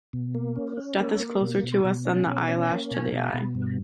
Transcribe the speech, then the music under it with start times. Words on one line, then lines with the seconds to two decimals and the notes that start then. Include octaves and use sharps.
Death is closer to us than the eyelash to the eye.
0.13 B2
0.35 A#3
0.56 C#4
0.78 C#4
0.98 A#3
1.20 A#3
1.41 B2
1.63 B2
1.84 B2
2.05 C#4
2.27 B2
2.48 C#4
2.70 A#3
2.91 B2
3.12 B2
3.34 B2
3.55 G2